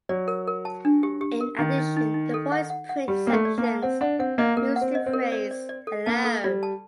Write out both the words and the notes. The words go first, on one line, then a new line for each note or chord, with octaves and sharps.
In addition, the voice print sections use the phrase Hello.
F#3 D5
A#4
A#4
A5
D4
G4
G4
A#4
D#3 D#4
D#4
D#4
D#4
A4
F#5
F#5
F#5
G3 G4
A#3 A#4
A3
D5
A#3
A5
C4 F#5
D4 F#5
C4 F#5
A#3 D#5
A#3 A#4
F#5
C4
D#5
C4
A#4
D5
D5
D5
A4
A#3 A5
A4
G3 D5
A5